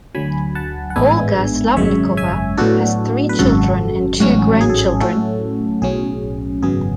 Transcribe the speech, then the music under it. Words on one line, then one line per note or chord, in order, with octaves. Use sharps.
Olga Slavnikova has three children and two grandchildren.
D2 D3 F#3 G#5 B5
F#5 A5
F#5
A1 G#2 G#3 B3 D4 E5 G#5
G#1 F#2 C#3 G#3 C#5 E5
E5 G#5
A2 F#3 B3 D4 F#4 A4
B4
G#1 F#2 C#3 F#4 A4
A1 G#2 F#3 C#4 F#4
G#4
A4
G#4
A2 F#3 A3 C#4 F#4 A4
B1 A2 F#3 C#4 G#4
G#1 F#2 C#3 F#3 B3 G#4